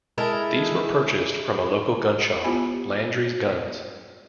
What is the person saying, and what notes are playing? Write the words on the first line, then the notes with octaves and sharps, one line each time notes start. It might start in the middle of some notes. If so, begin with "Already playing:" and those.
These were purchased from a local gun shop, Landry's Guns.
G#3 E4 A4 A#4
B3 E4 F4 G4 G#5 B5